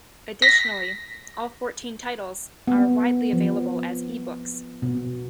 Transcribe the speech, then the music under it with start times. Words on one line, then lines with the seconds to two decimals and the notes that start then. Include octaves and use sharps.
Additionally, all fourteen titles are widely available as ebooks.
0.42 A#6 B6
2.67 B3
3.33 F3
4.82 B2